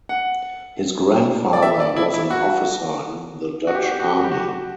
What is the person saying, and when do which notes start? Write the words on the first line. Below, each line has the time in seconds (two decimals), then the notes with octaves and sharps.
His grandfather was an officer in the Dutch Army.
0.09 F#5
1.53 D5
1.62 E5
1.80 D5
1.96 E4
2.14 E4
2.30 F#4
3.67 F#4
3.75 G4
3.83 F#4
3.91 G4
4.00 F#4
4.08 G4
4.16 F#4
4.24 G4
4.32 F#4
4.40 G4
4.48 F#4